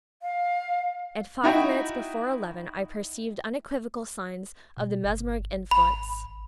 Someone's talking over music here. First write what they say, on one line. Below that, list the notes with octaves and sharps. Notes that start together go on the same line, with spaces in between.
At five minutes before eleven I perceived unequivocal signs of the mesmeric influence.
F5
D#4 E4 F#4 E5 G5
B2
G1
G#1 B5